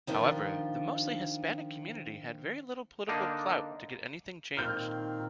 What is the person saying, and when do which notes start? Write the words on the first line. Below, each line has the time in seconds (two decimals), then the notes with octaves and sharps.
However, the mostly Hispanic community had very little political clout to get anything changed.
0.07 D#3 F3 D4 F4
3.08 D3 A#3 D4 D#4
4.57 A#2 D#3 A#3 C4 D#4 F6 G6